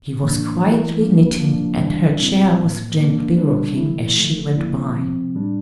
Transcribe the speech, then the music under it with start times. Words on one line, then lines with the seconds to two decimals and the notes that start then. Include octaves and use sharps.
She was quietly knitting, and her chair was gently rocking as she went by.
0.22 A2 E3 A#3 D4
0.60 E3 A3 E4
1.00 F3 A#3 D4
1.40 F3 A#3 D4
1.80 E3 G3 D4
2.19 A#2 G3 C4 E4
2.58 A2 F3 A#3
2.98 E3 A#3 D4
3.38 D3 G3 D4
3.77 E3 A3 E4
4.16 D3 F3 A3
4.56 D3 F3 A#3 E4
4.96 C3 F3 C4
5.35 A2 G3 D4